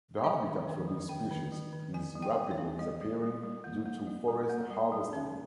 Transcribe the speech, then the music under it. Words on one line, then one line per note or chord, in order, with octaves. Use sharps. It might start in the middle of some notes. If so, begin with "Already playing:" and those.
The habitat for this species is rapidly disappearing due to forest harvesting.
G3 D#5
D#3
D#3
G3
D#3 G5
D#3
G3
D#3
G3 G#5
G3
G5
G3
C#5
C4
G3 D#5
G3
G3
G3
A#3
A#3
G3
G3
A#3
G3
G3
C#4